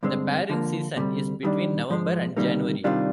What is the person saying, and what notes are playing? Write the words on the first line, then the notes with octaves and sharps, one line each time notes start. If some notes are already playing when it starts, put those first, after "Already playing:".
The pairing season is between November and January.
G2 D3 G#3 C4
D3 F3 A#3
D2 C3 G3
D#2 D#3 G3 D4
G#2 F3 G#3
D2 C3 D#3 G3 A#3
C3 D#3 G3 D4 F4